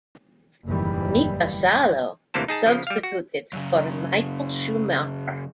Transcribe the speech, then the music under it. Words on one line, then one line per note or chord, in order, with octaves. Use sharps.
Mika Salo substituted for Michael Schumacher.
F#1 E2 A2 D#3 E3 G3
D2 C3 E3 A#3 C5 A5
D#4 G#4 A5
C#3 F3
G3 F5
F#4
F#2 C#3